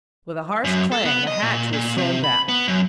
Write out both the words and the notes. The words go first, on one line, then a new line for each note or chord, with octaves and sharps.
With a harsh clang a hatch was thrown back.
F#2
A4
B3
D#5
A#2
A#2
C3
B5
B3
F#2